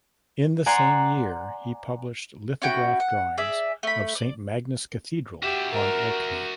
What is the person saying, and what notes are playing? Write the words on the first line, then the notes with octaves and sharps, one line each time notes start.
In the same year he published lithograph drawings of St Magnus Cathedral on Orkney.
D5 F#5 G#5 A#5 C6
C#4 E4 F#4 G5
F#5
G#4 D5 E5
A3 B5
D5
F#4 G4 E5
A#4